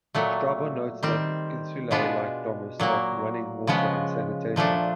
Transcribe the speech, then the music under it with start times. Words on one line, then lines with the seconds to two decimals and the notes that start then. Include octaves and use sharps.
Strabo notes that "insulae", like "domus", had running water and sanitation.
0.15 A#2 F#3 A3
1.03 D#3 G3 C4
1.91 B2 G#3 B3 D4 F4
2.80 A#2 F#3 A#3
3.67 C#3 F3 G#3 B3
4.56 A#2 F3 A3 D4